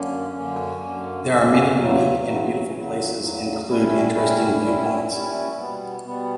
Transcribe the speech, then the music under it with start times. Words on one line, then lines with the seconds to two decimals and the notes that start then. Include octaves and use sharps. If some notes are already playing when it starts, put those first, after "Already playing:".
There are many unique and beautiful places include interesting viewpoints.
Already playing: F#2 D3 A#3 C#4
0.36 F#2 D3 A#3 C#4
0.83 F#2 D3 A#3 C#4
1.31 F#2 D3 A#3 C#4
1.78 E2 C#3 F#3
2.26 E2 C#3 F#3
2.73 E2 C#3 F#3
3.20 E2 C#3 F#3
3.68 A#2 G3 C#4 E4
4.15 A#2 G3 C#4 E4
4.63 A#2 G3 C#4 E4
5.11 A#2 G3 C#4 E4
5.58 B2 G3 B3
6.06 B2 G3 B3